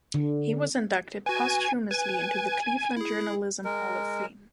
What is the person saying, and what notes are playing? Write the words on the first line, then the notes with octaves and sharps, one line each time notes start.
He was inducted posthumously into the Cleveland journalism hall of fame.
D3
F#4 B4 G#5
B4 G#5
E4 G#4
G#3 A#4